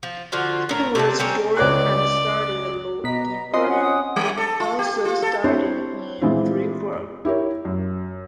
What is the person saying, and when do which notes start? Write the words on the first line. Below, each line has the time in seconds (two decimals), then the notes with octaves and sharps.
He was born and studied law in Berlin, also studying in Freiburg.
0.03 F3
0.32 D3 F3 F4 F#4
0.69 A2 A#4
0.95 C3 D4 B4 A5
1.19 G3 C4 C#4 A#4
1.57 C#2 C#5 D5 F#6
3.04 B2 D#5 A#5 B6
3.54 C4 F4 A#4 C5 D#5 F5 G#5 C6
3.67 C#4 C#5 F#5 G#5
3.81 F#5 D#6
4.16 G3
4.37 A4
4.60 F4
4.79 G4
5.05 F4
5.22 A4
5.44 C4 D4 E4 G4 C5 C#5
6.21 A#2 E3 G#3 C4 E4 F4
7.25 E4 G4 A#4 C#5
7.65 F#2